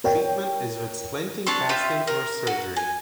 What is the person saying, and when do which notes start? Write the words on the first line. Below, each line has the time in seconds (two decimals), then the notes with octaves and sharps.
Treatment is with splinting, casting or surgery.
0.04 A#4 C#5 G5
1.47 C4 D4 C#5 A5
1.69 F4 G4 E5
2.07 A#4
2.47 F#4
2.76 G#5